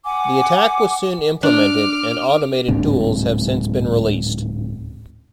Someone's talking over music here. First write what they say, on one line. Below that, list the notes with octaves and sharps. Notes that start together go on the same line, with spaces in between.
The attack was soon implemented, and automated tools have since been released.
F#5 G#5 D6
D4 D6 F6
D1 G#2 C3 D4